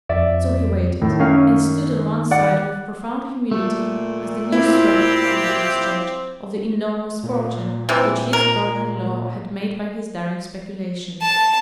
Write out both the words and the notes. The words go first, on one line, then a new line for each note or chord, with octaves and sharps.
So he waited, and stood on one side with profound humility, as the news swept through the Exchange, of the enormous fortune which his brother-in-law had made by his daring speculation.
F2 D5 E5
A2 D#3
F#2 C#4 F5
D5 F#5
A#2 A3
C4 E4 F4 G4
A#2
C3 E3
A#4
A5